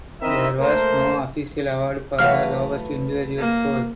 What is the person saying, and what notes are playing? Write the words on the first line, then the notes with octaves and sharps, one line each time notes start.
There was no official award for the lowest individual scores.
C4 D#4 E4 A#4 D#5 E5
A3 A#3 A4 A#4 C5
E3 F#3 A3 B4 C#5 F5 F6
A#3